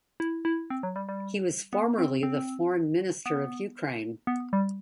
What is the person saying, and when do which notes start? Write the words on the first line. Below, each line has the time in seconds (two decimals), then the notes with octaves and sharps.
He was formerly the foreign minister of Ukraine.
0.20 E4
0.45 E4
0.70 C4
0.83 F#3
0.96 G3
1.09 G3
1.73 B3
1.98 C4
2.23 C4
3.26 B3
4.27 B3
4.53 G3